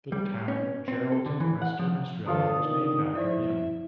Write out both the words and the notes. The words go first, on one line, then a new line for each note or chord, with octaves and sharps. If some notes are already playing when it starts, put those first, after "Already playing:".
The town of Geraldton, Western Australia was named after him.
G3
C#4
C4
A4
D3
E3
F#5
F3
D3 E3 F#3 D4 F4 A4 D#6
D#3
F3 E4 C5 D5 E5